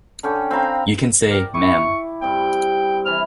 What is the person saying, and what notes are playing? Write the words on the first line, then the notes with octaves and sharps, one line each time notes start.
You can say: “Ma’am”.
D3 C#4 G5
C4 F5 A#5 B5
A#4 D5 G5
E4 C#6 D6
G2 C4 G5
C3 E3 F6